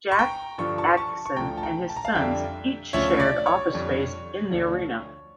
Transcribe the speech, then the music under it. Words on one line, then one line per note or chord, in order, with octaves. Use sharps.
Jack Adkisson and his sons each shared office space in the arena.
C#6
G5 A#5
G2 D3 F3 C#6
A5 C#6
A5 C#6
C#6
D2 D3 F3 G5 A#5
A5
G5 A#5
A5
A#5
F5 A5
F2 D3 G3 E5 G5
D2 C#3 F3 C#5 E5
D5
C#5
F2 D3 G3
D2 D3 F3